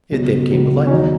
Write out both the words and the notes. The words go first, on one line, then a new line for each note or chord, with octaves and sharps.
It then came to life.
C#2 B2 F#3
C#2 B2 F#3
C#4
E2 D#3 F#3 D#4